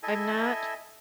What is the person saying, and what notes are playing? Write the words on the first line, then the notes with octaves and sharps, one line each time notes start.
I'm not
E4 A4 D#5 E5 G#5